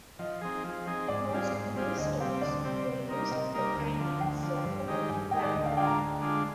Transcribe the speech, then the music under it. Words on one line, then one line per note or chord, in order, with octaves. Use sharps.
Most millstones were used for grinding so called "black corn".
F3 D#5
C4 D#4 G#4
F3
C4 D#4 G#4
G#2 D5
G3 C4 F4 G#4
G#2
G3 C4 F4 G#4
D2 D#5
C3 G3 C4 F5
D2 D5
C3 G3 C4
C3
G3 A#3 D#4 A#4
C3 D#5
G3 A#3 D#4 A#4
D2
D3 F3
D2 G5
D3 F3
G2
D#3 G#3 D#4 G4
G2 G#5
D#3 G#3 D#4 G4 G5
D5
D2 D#5
F5
D3 G#3 D4 F4 G5
A#5
D2
D3 G#3 D4 F4